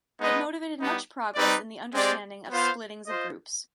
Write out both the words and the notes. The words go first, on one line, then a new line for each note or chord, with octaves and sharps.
It motivated much progress in the understanding of splittings of groups.
G#3 B3 D#4 B4 D#5
G3 B3 D#4
G3 C4 D#4 B4 D5
G#3 C4 G4 D5
B3 F4 C5 F5
F4 C5 D#5